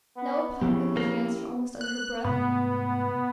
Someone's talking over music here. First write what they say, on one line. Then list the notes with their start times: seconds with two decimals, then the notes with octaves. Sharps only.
"No, papa," she answered almost under her breath.
0.17 B3
0.61 C#3 F3 B3 C#4 E4 G4
0.97 A#3
1.81 F#6
2.25 G#2 C3 A3 B3